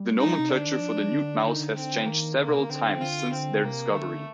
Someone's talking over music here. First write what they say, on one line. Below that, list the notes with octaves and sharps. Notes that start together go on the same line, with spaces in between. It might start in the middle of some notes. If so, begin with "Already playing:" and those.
The nomenclature for the nude mouse has changed several times since their discovery.
Already playing: G3
D#4
C3
D3 D4
D#3
F3
D3
D3 D#4
D3
C4
D#3 A#3
D3 A#3
C3
D3
D3 C4
D3 F4
C4
D3
C3 A#3
D#3
D3 A3